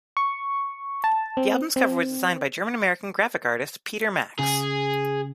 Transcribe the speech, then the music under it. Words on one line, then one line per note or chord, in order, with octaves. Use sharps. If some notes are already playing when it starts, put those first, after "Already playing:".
The album's cover was designed by German-American graphic artist Peter Max.
C#6
A5
C4
C4
C#3 G#4